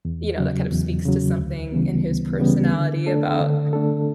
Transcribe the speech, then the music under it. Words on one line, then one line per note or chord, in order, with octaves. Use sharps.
you know, that kind of speaks to something in his personality about
E2
C#3 F#3
E2
C#3 F#3
D2
C#3 E3 G3 B3
D2
C#3 E3 G3 B3
D3
A3 D4 A4
D3
A3 D4 A4